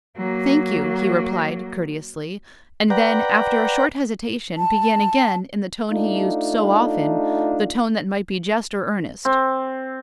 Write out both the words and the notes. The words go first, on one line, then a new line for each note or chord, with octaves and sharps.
"Thank you," he replied, courteously, and then, after a short hesitation, began again, in the tone he used so often--the tone that might be jest or earnest.
F#3 A#3
B4 D5 F#5 G5 A#5
A5
A3 D4 D#4 F4
C4